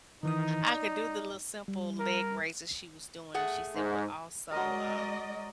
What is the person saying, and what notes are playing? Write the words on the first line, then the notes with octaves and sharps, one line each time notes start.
I could do the little, simple leg raises she was doing, and she said, well, "Also, um,
D#3 E3 D#4 D#6
D5
G3
A#4
A3 G#4 F#5
G#2
F#3 G#3 A#4 D5 D#5